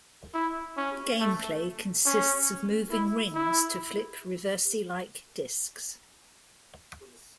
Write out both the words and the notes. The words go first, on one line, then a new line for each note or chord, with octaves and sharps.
Gameplay consists of moving rings to flip Reversi-like discs.
E4
C#4
A3
C#4
E4
E4